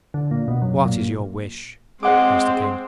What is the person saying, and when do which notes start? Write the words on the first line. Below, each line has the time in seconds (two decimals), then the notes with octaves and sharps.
'What is your wish?' asked the King.
0.14 D3
0.31 A#2
0.48 B2
0.62 F#2
0.86 A#2
2.03 G#3 C4 C5 F#5 D6